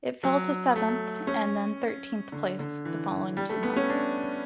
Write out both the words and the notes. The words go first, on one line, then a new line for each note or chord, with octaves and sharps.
It fell to seventh and then thirteenth place the following two months.
F#3
A3
C#4
D3
D3
E3
G3
A3
B3
C#4
D4